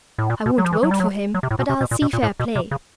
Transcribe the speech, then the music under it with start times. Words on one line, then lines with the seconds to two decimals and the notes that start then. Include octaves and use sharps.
I won't vote for him; but I'll see fair play.
0.18 A2
0.30 A#2
0.46 B2
0.58 F#3
0.65 F3
0.73 E3
0.83 F#3
0.91 G3
1.00 F#3
1.34 F#3
1.43 C3
1.51 A2
1.59 B2
1.69 C3
1.81 B2
1.91 A#2
2.02 B2
2.13 A#2
2.23 A2
2.40 B2
2.56 C3
2.71 C#3